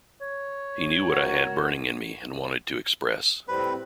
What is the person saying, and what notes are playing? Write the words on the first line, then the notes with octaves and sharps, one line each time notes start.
He knew what I had burning in me and wanted to express.
C#5
F#4 A#4
A2 G3 C4 B4